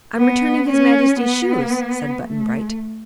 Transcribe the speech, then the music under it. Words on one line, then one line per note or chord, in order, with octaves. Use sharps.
"I'm returning his Majesty's shoes," said Button-Bright.
B3
C#4
B3
A3